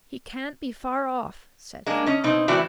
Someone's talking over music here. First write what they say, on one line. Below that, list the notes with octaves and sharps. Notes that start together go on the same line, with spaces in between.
"He can't be far off," said Frank.
G#3 A#3 D4
C#4 D#5
B2 C4 D#4
A2 E3 C4 E4 F#4 D5